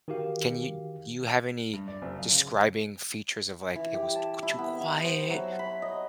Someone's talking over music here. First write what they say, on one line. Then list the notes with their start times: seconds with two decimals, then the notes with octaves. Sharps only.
Can you you have any describing features of, like, it was t q too quiet
0.08 D#3 F#4 G4 F5
1.73 G2
1.88 D5
2.02 F#1
2.19 F5
2.32 C#3
3.76 E3
3.94 G4
4.15 A5
4.43 E4
4.59 B3
4.81 E4
5.04 C5
5.30 F#3
5.59 B5
5.82 D#5